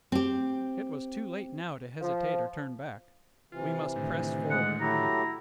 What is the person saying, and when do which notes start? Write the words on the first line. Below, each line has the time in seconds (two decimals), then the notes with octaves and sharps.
It was too late now to hesitate or turn back; we must press forward.
0.12 C4 G4
2.01 F3
3.52 C3 E3 F4
3.96 A2 D3 D#3
4.51 G#3 F#5
4.81 F#3 A3 E4 G4 A#5